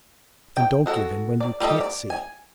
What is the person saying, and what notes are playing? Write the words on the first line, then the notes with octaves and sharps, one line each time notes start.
And don't give in when you can't! see!
G5
G#3 F#4 A4
D5
G3 F4 G4 A4 D#5
D5
G#5